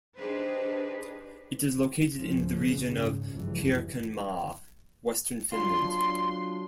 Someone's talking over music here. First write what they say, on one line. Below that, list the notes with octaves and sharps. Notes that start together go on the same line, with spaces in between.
It is located in the region of Pirkanmaa, Western Finland.
D4 D#4 G4 G#4 B4 C5
G#1 C#2 F3 C#4
C#2 F#2 A#2 C#3
G#2
F#1 C#2 G2 E3 F3
F#3 D4 F4 C6